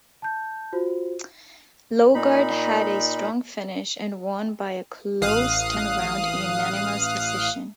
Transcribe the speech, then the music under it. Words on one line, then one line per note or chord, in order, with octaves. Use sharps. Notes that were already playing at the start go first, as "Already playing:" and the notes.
Logart had a strong finish and won by a close ten-round unanimous decision.
A5 G6
F4 F#4 C5
A#2 D#4 B5
A1 F5 D#6 F#6